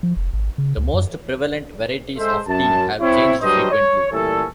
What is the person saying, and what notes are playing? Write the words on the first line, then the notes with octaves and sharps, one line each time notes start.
The most prevalent varieties of tea have changed frequently.
F3
F1
G#1
C#3
C#2
F#2
G#3 A4 C5 E5
F#2 A5
C4 E4 C#5
F#3 G3 D4 B4 C5 D#5
C#5
A#2 E3 G3 A3 C#4 A4